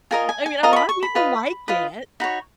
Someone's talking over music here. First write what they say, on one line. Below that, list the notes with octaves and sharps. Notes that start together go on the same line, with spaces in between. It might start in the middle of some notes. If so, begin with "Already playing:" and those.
I mean, a lotta people like it.
F4 A#4 D#5 G#5
G#5
G#5
F4 A#4 D#5 A#5
C#6
B5
C#6
B5
F4 B4 D#5
F4 B4 D#5
D#4 F#4 C#5 B5